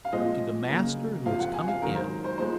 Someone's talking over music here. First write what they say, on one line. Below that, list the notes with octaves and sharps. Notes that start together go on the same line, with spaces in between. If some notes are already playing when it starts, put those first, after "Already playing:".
To the master who has come again!
F5
A#2 F3 G#3 C4 D#5
C#3 F#3 A#3
F2 C3 F3 C4 F5
F#5
G#5
F5
G#2 D#3 F#3 A#4
C5
C5
F3 G#3 C5